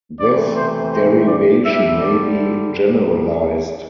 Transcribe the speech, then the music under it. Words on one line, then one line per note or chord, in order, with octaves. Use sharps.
This derivation may be generalized.
C3 E3 A3 D5
C5
C5
D5
D3 G3 E5
D5